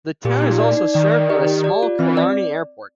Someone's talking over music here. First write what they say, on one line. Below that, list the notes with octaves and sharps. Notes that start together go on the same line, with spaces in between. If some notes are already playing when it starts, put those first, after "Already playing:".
The town is also served by the small Killarney Airport.
A#2 G4
D#4
D5
D#4
D#3 D5
D5
G4
G4
D5
F4
E3 C4
D5